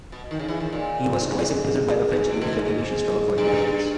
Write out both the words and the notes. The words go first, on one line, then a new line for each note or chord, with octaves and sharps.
He was twice imprisoned by the French during the Tunisian struggle for independence.
B2
D#3
C#3
E3
D#3
A#2
G#2
G#2
B2
B2
G#2
G#2
G2